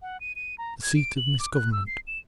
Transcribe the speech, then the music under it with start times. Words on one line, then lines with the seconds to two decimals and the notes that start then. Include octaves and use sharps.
The seat of misgovernment.
0.02 F#5
0.21 D#7
0.36 D#7
0.58 A#5
0.83 G#6
0.96 D7
1.17 F#7
1.40 D6
1.53 F#6
1.72 E6
1.87 C7
2.07 E7